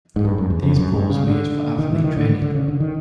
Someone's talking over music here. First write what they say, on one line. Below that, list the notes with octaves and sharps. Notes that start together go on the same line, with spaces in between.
These pools were used for athlete training.
G#2
G2
F#2
E2
F2
F#2
G2
C#3
D3
D#3
E3
D#3
D3
D3
D3
C#3
D3
D#3